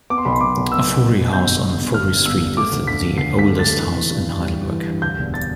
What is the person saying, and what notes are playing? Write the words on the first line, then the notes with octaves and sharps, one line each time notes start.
"Fourie House" on Fourie Street is the oldest house in Heidelberg.
B3 D6
C6
B1 B5
C6
B1 D6
B1
B3 E6
B1
B1
B2
G1 G6
G2
G1
G1
G1 F6
G2
G1 E6
G2
A3 D6
D2
D4 B6
D3
D2 C7
A3
B6
A3
A6
A3
E3
E3
G2
G2
G3
G2
E3
G2
D2 G6
E1
A6